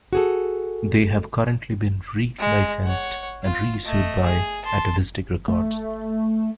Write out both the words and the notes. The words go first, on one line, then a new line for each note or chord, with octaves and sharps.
They have currently been relicensed and reissued by Atavistic Records.
F#4 G#4 A4
G#3
C#5 F#5
F4
A3 D#5
G#4
A5 C6
A3